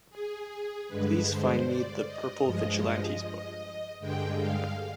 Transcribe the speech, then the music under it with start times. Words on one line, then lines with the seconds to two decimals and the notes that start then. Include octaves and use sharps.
Please find me The Purple Vigilantes book.
0.10 G#4
0.88 G2 D3 G#3 B4
1.26 C5
1.66 D5
2.05 D#5
2.44 G2 F3 G#3
4.00 G2 D3 G#3 G5
4.39 F5